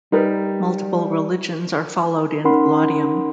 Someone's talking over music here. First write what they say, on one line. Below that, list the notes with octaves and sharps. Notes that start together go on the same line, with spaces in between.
Multiple religions are followed in Laudium.
G3 D#4 A#4 B4
C#4 D#4 A#4 F#5 B5 C6